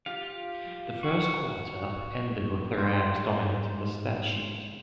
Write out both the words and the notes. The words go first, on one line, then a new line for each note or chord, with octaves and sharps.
The first quarter ended with the Rams dominating the stat sheet.
F4 G4 F5
F#4
G#2 C5